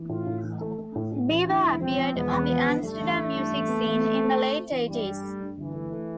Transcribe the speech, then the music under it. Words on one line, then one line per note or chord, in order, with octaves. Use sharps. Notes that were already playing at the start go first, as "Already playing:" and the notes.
Beaver appeared on the Amsterdam music scene in the late eighties.
Already playing: E3
A2 F4
A2
E3
A3
A3
A2
A2
A1
D3 E4
E1
F3 C4
F3
E1 B3
E2
F3
D3
G2 A3
A1
E3
G2
A1
B3
A1
B3
C4
C4
C4
E3
G2 G3
G2
A3
G2
G1 E3
A3
A3